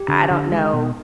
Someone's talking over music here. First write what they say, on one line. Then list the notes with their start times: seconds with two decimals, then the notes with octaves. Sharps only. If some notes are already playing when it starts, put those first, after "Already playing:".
I don't know,
Already playing: G4
0.08 D3
0.31 D3
0.52 G#3
0.73 B2